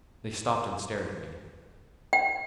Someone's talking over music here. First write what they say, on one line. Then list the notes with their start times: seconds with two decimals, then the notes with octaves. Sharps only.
They stopped and stared at me.
2.13 G5